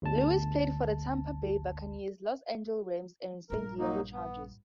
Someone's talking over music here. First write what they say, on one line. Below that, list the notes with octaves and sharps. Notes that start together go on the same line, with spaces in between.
Lewis played for the Tampa Bay Buccaneers, Los Angeles Rams and San Diego Chargers.
G1 D2 A5
A#1 G2 A#4
F#3 A#3 D#4
B3